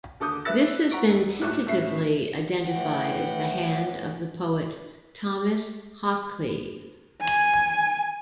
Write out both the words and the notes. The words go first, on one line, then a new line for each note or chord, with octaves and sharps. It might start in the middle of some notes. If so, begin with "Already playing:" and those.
This has been tentatively identified as the hand of the poet Thomas Hoccleve.
D#2 D3 A4 D6 D#6 G6
B4 D5 E5 E6 F#6 A6
F#5 A#5 C#6 D7
D#1
A#1 A2 F#3 A3 D5 F#6
A2 C#3 E5 C7
A2 E3 F#5 G5
G#5